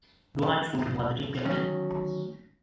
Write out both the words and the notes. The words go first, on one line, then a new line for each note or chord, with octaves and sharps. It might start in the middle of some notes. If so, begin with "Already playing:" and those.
Dwight Fulton was the team captain.
D2 D#3 F#3 C#4 F#4